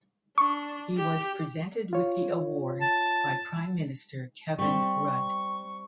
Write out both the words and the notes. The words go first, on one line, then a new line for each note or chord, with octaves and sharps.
He was presented with the award by Prime Minister Kevin Rudd.
D4 C#6
G4
F4 C#5
A5
G3 C4 C#6